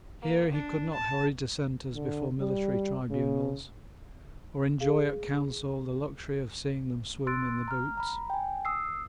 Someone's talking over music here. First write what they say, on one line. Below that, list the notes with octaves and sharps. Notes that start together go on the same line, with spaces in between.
Here he could not hurry Dissenters before military tribunals, or enjoy at Council the luxury of seeing them swoon in the boots.
A#3
D4
A5
D3
G3
C#3
G#4 F5
C6 E6 F#6 A6 D7
A#5 F6
A#5 B5
G5 G#5
D#6 E6 C7